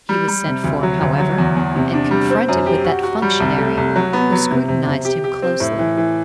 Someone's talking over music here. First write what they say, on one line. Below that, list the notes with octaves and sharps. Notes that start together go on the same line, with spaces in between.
He was sent for, however, and confronted with that functionary, who scrutinized him closely.
G3
G3
C3
D2
F#3
D2
F#3
E2
E2
C3
D4
G3
C4
F#2
G4
F#4
F#4
G3
C2
A3
C2
F#3
B3
F#3
C3
C3
C3
G4
G4
C4
A2
E3
E3